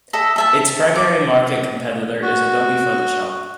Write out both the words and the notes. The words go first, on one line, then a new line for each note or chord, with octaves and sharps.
Its primary market competitor is Adobe Photoshop.
A4 D#5 E5
A4 E5 A5
D6
F#4